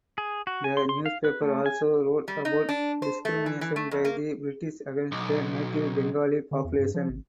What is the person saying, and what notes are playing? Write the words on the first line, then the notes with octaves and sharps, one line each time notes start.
The newspaper also wrote about discrimination by the British against the native Bengali population.
G#4
F#4
G#5
C6
C6
F5
B4
A3
G#5
G3
D#4
D4
C5
A3
E3
E3
A3
F2
A#3
B1
D3
E2
G2
F3
G#1